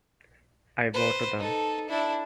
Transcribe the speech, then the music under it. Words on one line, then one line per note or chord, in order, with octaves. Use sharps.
I bow to them.
B4 C5
D#4 A4
D4 E4